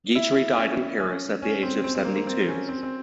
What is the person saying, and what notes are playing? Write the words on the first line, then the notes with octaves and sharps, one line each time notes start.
Guitry died in Paris at the age of seventy-two.
E4
C#4
C#4
C#4
C4
C4
C4
A#3
A#3
C4
C#4
C4
C4